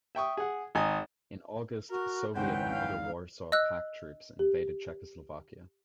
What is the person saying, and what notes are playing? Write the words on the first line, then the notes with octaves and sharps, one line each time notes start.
In August, Soviet and other Warsaw Pact troops invaded Czechoslovakia.
E5 G5 C#6 D#6
G#4 F#5
G#1 D#5 G#5 A#5 D#6
F#4 A#4
G#1 C#2 G#2 E3 C#4 C5 F#5 G5
F5
D#5 E6 F#6
G4